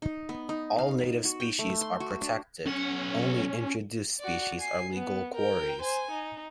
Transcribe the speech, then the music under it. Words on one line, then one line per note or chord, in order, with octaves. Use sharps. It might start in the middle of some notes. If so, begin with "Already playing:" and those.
All native species are protected, only introduced species are legal quarries.
D#4
B3
D#4
F5
F#4
G5
A3
C6
F#4
D4
B1 C#4 F#5
F#4 D5
G#5 C7
B3
A#4 G5
C5 G#5
D#4